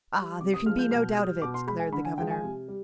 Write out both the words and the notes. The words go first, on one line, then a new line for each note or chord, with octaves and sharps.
"Ah! there can be no doubt of it," declared the governor.
G3
C3 D6
D#6
F3 G#3 F6
G6
B2 F6
G3 D#6
B2 D6
C6
G#3 B5
G#5
D3 B5
G#5
F3 G#3 G5
G#5
C3
G3